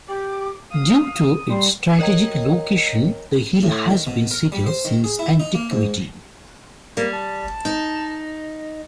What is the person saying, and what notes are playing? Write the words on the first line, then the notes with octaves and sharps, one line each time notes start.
Due to its strategic location, the hill has been settled since antiquity.
G4 D6
F5 D#6
G3 C6
A#4 C#5 D#5 G5 A#5
A2
D#3
B2
A#4
G3
C5
D#3
G#4
E4
D#4
A#3
G#2
G3 A#3
A5
D#4